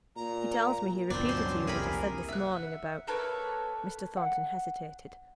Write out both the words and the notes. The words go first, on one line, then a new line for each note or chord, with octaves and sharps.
'He tells me, he repeated to you, what I said this morning about--' Mr. Thornton hesitated.
A#2 A#5
D2 G2 A#2 F3 B3 C4 D4
F#3 C#4 C5 C6
C2 F2 E3 A#3 G4 G#4 A#4 B5
E5 F#5
A#3 A4 B4 C#5
F#5